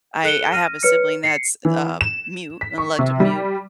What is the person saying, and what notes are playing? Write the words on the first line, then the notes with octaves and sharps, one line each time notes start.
I I have a sibling that's, um, mute, an elective mute.
A4 F#6 C#7 D7 G7
F6 A#6 D#7
B4 C#5 F6 C#7
C7 C#7
E3
E7
B6
C#6
C3
G3